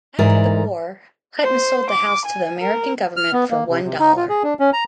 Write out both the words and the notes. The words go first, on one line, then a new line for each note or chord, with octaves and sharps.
After the war, Hutton sold the house to the American government for one dollar.
G#2 E3 A#4 D5
C5
D6
G#5
A#4
F6
B3
A#3
C3
C3
D#4
F4
G#4
D4
C#4
A#5